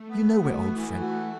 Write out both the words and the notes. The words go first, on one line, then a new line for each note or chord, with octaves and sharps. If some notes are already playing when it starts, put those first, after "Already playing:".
You know we are old friends.
Already playing: A3
B3
F#4
E3 A3
F#4